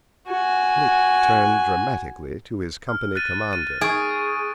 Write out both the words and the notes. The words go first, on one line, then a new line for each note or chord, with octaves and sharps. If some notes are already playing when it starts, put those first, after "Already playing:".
Blake turned dramatically to his company commander.
F#4 G#5
F6
F#6 A6 D#7
D#7
G#4 C#6 D#6 D7